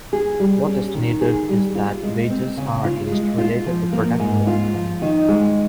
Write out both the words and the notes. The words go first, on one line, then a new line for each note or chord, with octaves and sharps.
What is needed is that wages are at least related to productivity.
G#4
G3
C#4
D#3
G#4
G3
F4
G#3
C4
C#3
F4
G#3
F4
F3
A#3
G#2
F4
F3
D#3
G#3